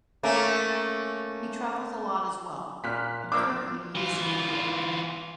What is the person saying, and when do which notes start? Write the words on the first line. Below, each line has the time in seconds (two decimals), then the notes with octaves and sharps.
He travels a lot as well, and currently, he is in New York.
0.23 A3 A#3 C#4
2.84 A#2 F6 F#6 B6
3.32 F3 A#3 D4 D6 E6
3.95 E3 F4